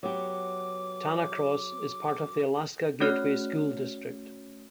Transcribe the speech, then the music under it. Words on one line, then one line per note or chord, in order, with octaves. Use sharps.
Tanacross is part of the Alaska Gateway School District.
F#3 B3 G4 D6
A3 C#4 F#4 C#5 F6 F#6